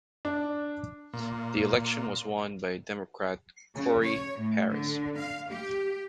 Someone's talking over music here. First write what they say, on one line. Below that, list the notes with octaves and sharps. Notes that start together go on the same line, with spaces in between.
The election was won by Democrat Corey Paris.
D4
A#2
C#3
C#5
A2
D3
F5
G4